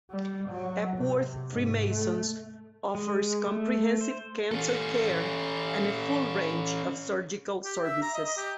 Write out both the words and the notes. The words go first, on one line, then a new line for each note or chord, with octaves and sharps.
Epworth Freemasons offers comprehensive cancer care, and a full range of surgical services.
G3
F#3
C3
G#2
A3
G#3
A3
C5
C#4 A4
G4
E5
A#5
D#5
D#5
G4